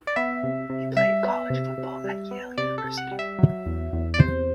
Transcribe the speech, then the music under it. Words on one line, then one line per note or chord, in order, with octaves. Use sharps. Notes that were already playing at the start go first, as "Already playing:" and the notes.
He played college football at Yale University.
D5
B3 E5
C3
C3
G3 E5
B3
C3
C3
G3
B3
C3 D5
A4
C3
F#5
G3
E5
F#3
E2
E2
D5
C3 C5